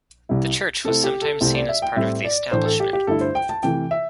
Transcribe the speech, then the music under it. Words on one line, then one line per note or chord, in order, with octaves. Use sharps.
The church was sometimes seen as part of the establishment.
C2 C3 G3 E4
C3 A3 C4 E4 A4
G4
A4
C2 C3 A3 C4 E4 A4
D5
E5
G5
A2 G3 C4 E4 E5
D5
A2 E3 A3 D4 C5
A4
G4
G4
G2 D3 A3 E4 A4
C5
G5
A5
C3 E3 A3 G5
E5